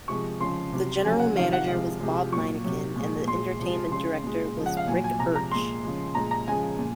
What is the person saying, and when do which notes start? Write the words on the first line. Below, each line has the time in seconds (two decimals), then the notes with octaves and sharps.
The General Manager was Bob Miniken and the Entertainment Director was Ric Birch.
0.08 C3 F3 G#3 C#6
0.41 C#3 F3 G#3 C6
0.72 C3 F#3
1.05 C#3 F#3 G#5
1.20 F#5
1.36 C3 D#3 F#3 F5
1.53 F#5
1.68 C3 F3 G#3 F5
2.00 C3 F3 G#3
2.32 A#2 F#3 C#6
2.64 C3 F#3
2.96 A#2 F3 G#3
3.27 A#2 G#3 C6
3.59 C3 F3 G#3
3.92 C#3 G#3 C6
4.23 A#2 G#3
4.56 C#3 F3 G#3
4.66 F#5
4.77 F5
4.87 A#2 F#3 G#5
5.04 G#5
5.19 C3 F3 G#3 A#5
5.36 A#5
5.52 A#2 G#3 C6
5.83 C#3 F3 G#3
6.15 A#2 G#3 A#5
6.31 A#5
6.47 C#3 F3 G#3 G#5
6.79 A#2